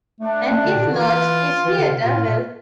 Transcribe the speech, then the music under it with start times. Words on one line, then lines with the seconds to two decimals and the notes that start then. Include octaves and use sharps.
And if not, is he a devil?
0.21 A3 D4
0.49 A#3
0.56 A3
0.66 D3
0.75 A#2
0.84 D3
0.93 E3 F4
1.65 E3
1.77 D3
1.90 C3
2.01 A#2 F4
2.13 A2
2.26 A#2